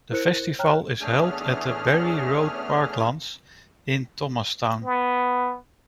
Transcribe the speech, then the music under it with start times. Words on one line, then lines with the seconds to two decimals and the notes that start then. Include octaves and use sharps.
The festival is held at the Barry Road parklands in Thomastown.
0.11 E4 A#4 C5 F#6 C#7
0.59 C#5 G5 A#5 F6 F#6
1.01 E2 A3 C#4 D4 G#4 F6
4.84 B3